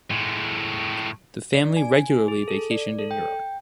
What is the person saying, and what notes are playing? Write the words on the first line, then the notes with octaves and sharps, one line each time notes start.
The family regularly vacationed in Europe.
A2 G#3
D5
G#5
G#4
A4
D5
A4
G5